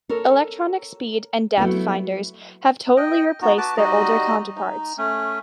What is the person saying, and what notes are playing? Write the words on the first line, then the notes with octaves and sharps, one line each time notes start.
Electronic speed and depth finders have totally replaced their older counterparts.
A4 A#4 C#5
F#3 A3 B3 E4
D#5 G5
B3 D#4 F#4
F#4 B4 A5 D6
G3 D#4 F#4 D#5
D#4
A3 C#4